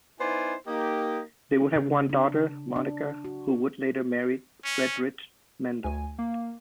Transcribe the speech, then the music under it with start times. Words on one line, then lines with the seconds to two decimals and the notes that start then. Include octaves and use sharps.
They would have one daughter, Monika, who would later marry Friedrich Mandl.
0.20 B3 D#4 E4 C5 D5 G#5
0.67 A#3 D#4 G4
1.76 C#3
2.09 D4
2.76 D4
3.24 F#4
4.64 C#4
5.84 D2 G#5
6.19 A#3